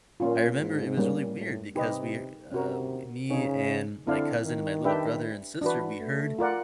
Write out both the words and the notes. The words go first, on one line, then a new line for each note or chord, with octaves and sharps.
I remember it was really weird because we're, uh w me and my cousin and my little brother and sister, we heard
A#2 A#3 C#4 F4
G#2
G3 A#3 C#4
A2
C3 D#4 G4 B4 D#5
C3 C#4 F#4 A#4
C#3 D#4 G#4 C#5
D3 C4 E4 A4 D5 F5
D#3
D4 G4 B4 E5 G5
E3 D4 F#4 B4
A3
F4 A#4 D5 F#5